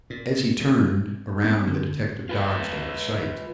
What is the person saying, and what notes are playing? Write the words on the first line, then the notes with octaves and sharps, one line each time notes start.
As he turned around the detective dodged out of sight.
A#2
C3
B3
D3
F4 B4